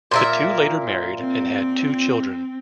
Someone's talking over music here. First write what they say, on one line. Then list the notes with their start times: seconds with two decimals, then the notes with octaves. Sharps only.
The two later married and had two children.
0.11 A#2 A#4 E5
1.20 C4